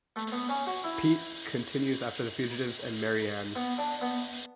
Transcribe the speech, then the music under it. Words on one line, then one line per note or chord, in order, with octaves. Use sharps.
Pete continues after the fugitives and Marianne.
A3
B3
C#4
F#4
E4
B3
D4
B3